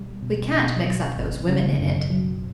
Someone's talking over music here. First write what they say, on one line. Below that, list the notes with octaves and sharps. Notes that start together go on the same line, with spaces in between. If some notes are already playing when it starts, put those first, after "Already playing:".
We can't mix up those women in it.
Already playing: B2 G3
B2
B2
F#3
G1
C#3
F#2
F#3